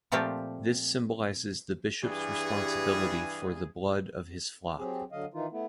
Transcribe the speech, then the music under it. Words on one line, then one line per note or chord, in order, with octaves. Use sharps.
This symbolises the bishop's responsibility for the blood of his flock.
A#2 F3 A3 C4 F4 G4
G2 E3 G3 G#4
F#3 C4 G4 G#4
D3 F#3 D#5 F5
D#3 E3 D#4 F4
A3 B3 E4